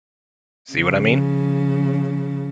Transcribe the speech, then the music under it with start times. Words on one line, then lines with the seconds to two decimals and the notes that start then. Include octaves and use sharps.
See what I mean?
0.73 C#3 F3